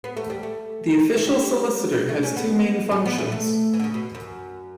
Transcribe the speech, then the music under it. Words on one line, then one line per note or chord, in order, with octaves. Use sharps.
The Official Solicitor has two main functions.
B3
A3
G3
A3
A3
G3
A3
C#4
B3
C#4
B3
A3
A3
E3
D3
C#3
B2
F#2